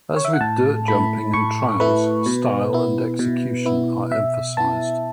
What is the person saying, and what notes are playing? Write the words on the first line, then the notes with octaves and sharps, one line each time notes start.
As with Dirt Jumping and Trials, style and execution are emphasized.
C#5
E5
F#5
A2 A5
A3 E4 B5
A2 C#6
A3 E4 B4
B2
B3 E4
B2
B3 E4
B2 E5
B3 E4 A5